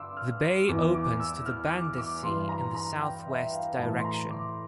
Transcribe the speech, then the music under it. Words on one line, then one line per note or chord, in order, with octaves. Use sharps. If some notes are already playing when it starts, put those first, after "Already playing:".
The bay opens to the Banda Sea in the southwest direction.
Already playing: G2 D3 C6 D6 E6
F6
E2 E3 D6
D6
E6
F6
D6
D6
G2 E3 C6
A#5
A#5
G5
E5
F5
A2 E3 A5
C6
A#5
D6